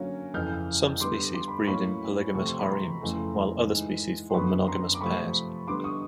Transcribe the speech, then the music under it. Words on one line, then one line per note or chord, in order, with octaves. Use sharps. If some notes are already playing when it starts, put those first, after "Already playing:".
Some species breed in polygamous harems, while other species form monogamous pairs.
Already playing: D3 F#3 A#3 C#4
F2 C#3 E3 F6 G6
D3 G3 B3 C6 D6
C6 D6
B5
C6
A2 F#3 A#3 C#4 B5 C#6
C3 F3 A3 C4 C#6
C6
B5
A#5 C6
F2 C#3 E3 A3
G#2 E3 G#3
C6
F#2 D3 F#3 B3 B5 C#6
A#5 C6
D6
C3 F3 A3 B5 C#6
D3 G3 B3 C6 D6
C#6 D#6